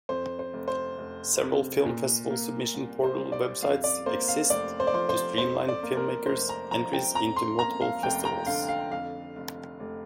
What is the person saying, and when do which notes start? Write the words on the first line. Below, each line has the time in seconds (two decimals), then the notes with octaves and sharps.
Several film festival submission portal websites exist to streamline filmmakers' entries into multiple festivals.
0.09 F2 C5
0.39 C5
0.53 F1
0.68 C5
0.98 F1
1.42 C3
1.85 A#2
2.30 A#3
2.74 C2
3.03 C5
3.18 G3
3.32 D5
3.63 F2 F5
3.84 D5
4.06 A#3 C5
4.28 F5
4.50 F1 D5
4.80 C5
4.87 D5
4.94 F3 C5
5.09 C5
5.38 F2 C5
5.68 D5
5.83 A#3
5.97 A#4
6.26 F1 C5
6.49 A#5
6.71 F3 A#5
6.93 G5
7.14 F2 A#5
7.36 C6
7.59 A#3 A#5
7.81 F5
8.03 F1 G5
8.25 A#5
8.46 D3 F5
8.69 F5
8.91 F2 F5
9.36 F1
9.80 F1